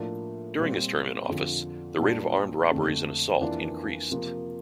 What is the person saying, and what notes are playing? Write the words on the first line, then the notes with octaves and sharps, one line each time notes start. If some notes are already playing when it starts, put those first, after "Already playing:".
During his term in office the rate of armed robberies and assault increased.
Already playing: A2 F3 A#3 D4
A#2 G3 C4
F2 D3 F3
A#2 G3 D4 F4
F2 D3 A3
F2 E3 A#3 D4 F4
C3 F3 A#3